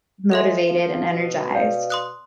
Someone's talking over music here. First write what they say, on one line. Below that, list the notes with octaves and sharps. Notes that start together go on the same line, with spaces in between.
motivated and energized.
G#3 A4 E5 C6
F3
B2
D5 F5
C6 D#6 F#6